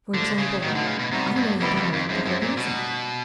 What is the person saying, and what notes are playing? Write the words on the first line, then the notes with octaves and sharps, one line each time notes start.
For example, I know the dialect of Iviza.'
A2 D3 F3 A3
C#3
A2 D#3 F#3 B3 D#4
D3
C#3
B2
C3 G3 B3 D#4 F#4
G2
F2 C#3 E3 G3 B3
F2
F2
F#2 F3 G#3 C4 D#4
F#2
A#2
B2 G3 A#3 D#4 F#4